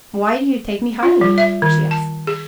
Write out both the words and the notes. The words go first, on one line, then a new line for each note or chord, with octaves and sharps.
"Why do you take me home?" she asked.
F4
G3
E5
D#3
A5
G#4